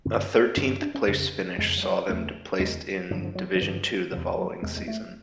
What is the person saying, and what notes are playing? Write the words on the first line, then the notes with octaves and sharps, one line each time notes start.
A thirteenth-place finish saw them placed in Division Two the following season.
G2 D3 C4
G2 D3 C#4
C#4
D4
C#4
F2 C#3
F2 C#3 G#3
F#3
G3
E2 C#3 A3
E2 C#3 G#3
G2 D3 F#3
F3
F#3
F3
G2 D3 E3
E2 C3 F3
F#3
E2 C3 G#3
G#3
A3